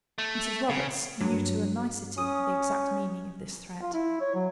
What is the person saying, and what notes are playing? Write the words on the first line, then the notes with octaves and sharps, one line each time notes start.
Mrs. Robarts knew to a nicety the exact meaning of this threat.
A3
C#3
G2 F#3
C#4 D#6
F4
E4
C#5
F#3